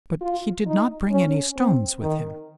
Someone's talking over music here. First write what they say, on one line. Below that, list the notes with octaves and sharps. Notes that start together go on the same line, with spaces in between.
But he did not bring any stones with him.
F4
D#4
C#4
C4
D#3